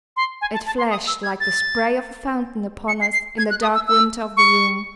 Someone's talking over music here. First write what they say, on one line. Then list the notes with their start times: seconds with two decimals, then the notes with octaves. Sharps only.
It flashed, like the spray of a fountain upon us, in the dark winter of the room.
0.17 C6
0.41 G#5
0.54 A5
0.66 A5
0.78 C6
0.90 D#6
1.07 E6
1.23 G#6
1.40 A6
2.88 C#7
3.01 C7
3.13 C7
3.38 G#6
3.50 F#6
3.62 D#6
3.75 E6
3.87 E6
4.37 C#6